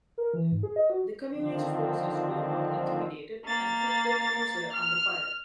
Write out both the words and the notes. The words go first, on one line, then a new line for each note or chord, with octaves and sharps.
The Communist forces were not intimidated and took the cruiser under fire.
A#4
E3
G#2
G#4
D#5
F#4
D3 D#3 F3 C4
A#3 A6
F6